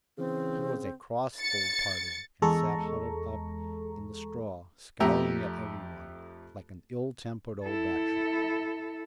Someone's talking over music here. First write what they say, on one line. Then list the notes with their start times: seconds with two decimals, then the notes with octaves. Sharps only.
He was a cross old party, and sat huddled up in the straw, scowling at every one, like an ill-tempered old bachelor.
0.18 C#3 E3 C4
1.36 A6 C#7
2.42 E2 G#3 A4 A#5 C#6
5.00 F2 A3 G4 E5 A#5
7.64 E4 A4